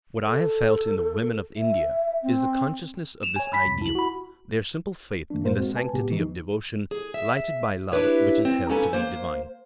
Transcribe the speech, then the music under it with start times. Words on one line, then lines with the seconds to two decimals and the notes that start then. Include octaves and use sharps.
What I have felt in the women of India is the consciousness of this ideal--their simple faith in the sanctity of devotion lighted by love which is held to be divine.
0.24 A4
1.56 E5
2.23 C4
3.23 E7 F7
3.36 C#5 G#5
3.53 B5 B6
3.65 C2 F2
3.81 E4 F#7
3.95 F#4 B5
5.30 G2 E3 A3 A#3 D4
5.43 F#2 A2 A#3 A#4 C5
5.55 G#3 C4 F#4
5.75 B4 G#5 A5
5.93 A2 C#3 G#3 B3 G4
6.11 E3 F3 D#4
6.91 G#4
7.14 E5
7.92 D4 E4 G4 B4 C#5
8.45 C4
8.69 A#3 C#4 D#4 A4 B4 G#5
8.93 A#3 C5